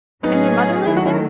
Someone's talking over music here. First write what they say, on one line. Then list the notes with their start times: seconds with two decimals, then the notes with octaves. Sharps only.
And your mother lives there?
0.23 A2 F#3 B3 C#4 D#4 G#4
0.86 D#3 F#3 A3 E4
0.97 F#4
1.05 C#4 E4